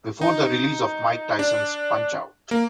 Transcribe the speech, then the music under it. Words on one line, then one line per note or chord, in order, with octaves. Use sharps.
Before the release of Mike Tyson's Punch-Out!!
D#4
D4
A#3